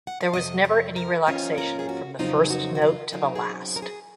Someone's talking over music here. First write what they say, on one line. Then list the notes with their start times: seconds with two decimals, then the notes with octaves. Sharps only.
There was never any relaxation from the first note to the last.
0.07 F#5
0.21 F5
0.33 F2 C3 D#5
0.65 C#5
0.96 A#4
1.27 G#2 F3 A#3 C#4 F4
1.58 A#4
1.79 G#4
1.89 F#4
2.19 F2 C#3 F#3 C4 D#4 F4
2.45 G#4
2.50 F#4
2.75 F#4
2.82 F4
3.12 C#3 F#3 C4 D#4 F4
3.35 G#4
3.76 A#4
3.82 G#4